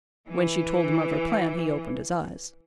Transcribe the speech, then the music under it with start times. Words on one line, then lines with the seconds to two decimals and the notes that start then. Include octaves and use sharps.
When she told him of her plan he opened his eyes.
0.29 E3